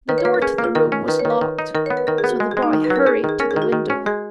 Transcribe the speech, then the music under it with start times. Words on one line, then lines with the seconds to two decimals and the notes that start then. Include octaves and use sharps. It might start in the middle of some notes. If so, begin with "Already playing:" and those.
The door to the room was locked, so the boy hurried to the window.
0.09 D#3 B4
0.18 C#5
0.25 A#3 B4
0.34 A#4
0.42 C#4 G#4
0.58 A#3
0.64 F4
0.75 D#3 A#4
0.92 C#4
1.08 D#3 B4
1.19 C#5
1.25 D#3
1.30 B4
1.41 D#3
1.59 D#4
1.75 D#3 A#4
1.86 C#5
1.90 B3
1.97 B4
2.07 D#3 A#4
2.18 G#4
2.24 B3
2.29 F#4
2.40 G#3
2.51 G#4
2.57 G#3
2.63 D#4
2.73 D#3
2.84 B4
2.90 F#3
2.96 A#4
3.06 C#4 G#4
3.24 D#3 G#4
3.40 C#4 A#4
3.51 G#4
3.56 D#3
3.62 F#4
3.72 D#3
3.90 C#4
4.06 G#3 G#4